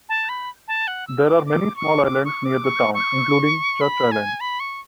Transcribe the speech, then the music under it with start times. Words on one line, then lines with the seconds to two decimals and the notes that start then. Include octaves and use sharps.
There are many small islands near the town, including Church Island.
0.09 A5
0.29 B5
0.68 A5
0.87 F#5
1.07 E6
1.26 D6
1.46 D6
1.76 C#6
2.05 D6
2.25 C#6
2.45 D6
2.64 C#6
2.94 C#6
3.81 B5
4.12 G#5
4.40 B5
4.60 C#6